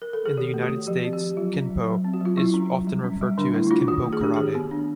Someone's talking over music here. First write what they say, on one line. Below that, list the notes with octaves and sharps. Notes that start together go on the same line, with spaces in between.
In the United States, kenpo is often referred to as "Kenpo Karate".
A#4
A4
G#4
D#3 G4
A3
F#4
D#3
F3 G4
C4
G4
F3
F#3 F4
C#4
F#3
F#3
C4
F#4
F#3 F4
F#3 E4
C#4
F#3
G3
C#4
G3
D3 D4
A3 E4
E4
D4 F4
D#3 F#4
A3
G#4
D4 G4
D#3 G#4
B3
D4